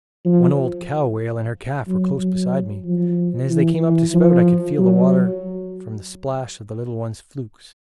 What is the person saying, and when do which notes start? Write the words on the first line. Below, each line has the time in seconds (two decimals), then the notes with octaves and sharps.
One old cow whale and her calf were close beside me, and as they came up to spout I could feel the water from the splash of the little one's flukes.
0.25 F3
1.87 F#3
2.19 F#3
2.84 F3
3.49 E3
3.81 E3
4.14 F3
4.79 F#3